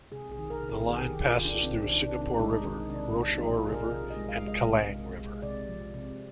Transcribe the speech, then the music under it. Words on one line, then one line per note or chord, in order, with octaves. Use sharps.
The line passes through Singapore river, Rochor river and Kallang River.
C3 G#4
G#4
D#3
A#4
C3
A#4
D#3 G#4
G4
D#3
F4
D#3
D4
C3 C4
D4
D#3
D4
C3
D4
G#3 D#4
D#3 D4
C3 D4
C3 D4
D#4
F3
F4
C3 G#4
A#4
C3
D#5
G#3
F5
G#3
D#5
C3
C3
G#3
C3 D5
F3
C3